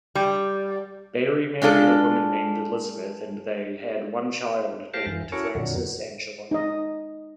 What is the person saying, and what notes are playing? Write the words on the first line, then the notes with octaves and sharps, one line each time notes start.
Barry married a woman named Elizabeth, and they had one child named Frances Angela.
G3
G#3 D4 F4 A4
G4 A#4 C5 F5 A5
F#2 E3
C#4 E4 F#4 A4 A#4 C#5
F2 A#2 D3 F#3
D#4 D#5